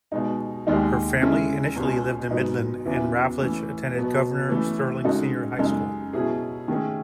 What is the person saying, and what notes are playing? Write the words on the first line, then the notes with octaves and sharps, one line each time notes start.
Her family initially lived in Midland, and Ravlich attended Governor Stirling Senior High School.
B2 G#3 D#4
D#2 D#3 G#3 D#4
C#3 G#3 C#4 E4 A4
C#2 B2 G#3 C#4
G#2 F#3 B3 D#4
E2 C#3 F#3 B3 E4
E3 A3 C#4
B2 F#3 B3
E3 A3 C#4
C#3 G#3 D#4 F#4 A4
F#2 C#3 G#3 D#4 A4
B2 F#3 C#4 E4 G#4
D#3 A3 C#4 G#4